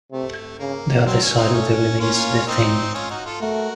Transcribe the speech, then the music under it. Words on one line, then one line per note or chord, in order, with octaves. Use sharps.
The other side of the release, "The Thing".
C3 A3
C#3 A#3
F#3 C4
C#4
C4 D#4
A3 C#4
A#3 C#4 F4
C4 D#4
C#4 F4
D#4 F#4
F4 A4
A3 F#4 A#4